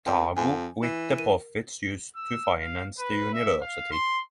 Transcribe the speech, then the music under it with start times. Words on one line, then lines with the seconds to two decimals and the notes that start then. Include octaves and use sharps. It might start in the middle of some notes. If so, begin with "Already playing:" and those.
Dago with the profits used to finance the university.
0.06 F2 G5 A5 D6
0.37 F2 G#5
0.83 E3
1.18 A#4 D#7
2.16 E6
2.59 F5
2.99 B4
3.34 E5
3.62 F5
3.92 C6